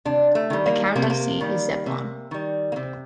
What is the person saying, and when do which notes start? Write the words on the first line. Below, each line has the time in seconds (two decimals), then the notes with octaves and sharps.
The county seat is Zebulon.
0.05 C3 D4
0.35 A3
0.50 D#3 G3
0.66 A#3
0.96 C3 A#3
1.02 A3
1.10 A#3
1.41 D#3 G3
1.86 C3
2.31 D#3 G3
2.72 A#3
2.76 C3 C4